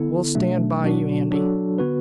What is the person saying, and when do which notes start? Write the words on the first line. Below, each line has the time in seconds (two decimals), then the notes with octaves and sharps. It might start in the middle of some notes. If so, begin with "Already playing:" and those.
"We'll stand by you, Andy."
Already playing: D3 B3 E4 A4
0.35 B2 F#3 A3 D4
0.83 B2 F#3 D4 F#4
1.31 F#3 D4 F#4 A4
1.78 D3 B3 F#4 B4